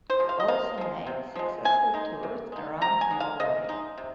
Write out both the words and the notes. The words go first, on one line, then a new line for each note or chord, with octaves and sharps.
He also made successful tours around Norway.
C5
F3 G#3
F5
D#5
C3 F5
F3 G#3
C3
F3 G#3
C3 G#5
G#3 D#4
C3
G#3 D#4
C3 A#5
G#5
G#3 D#4
F5
C3 D#5
G#3 D#4
C3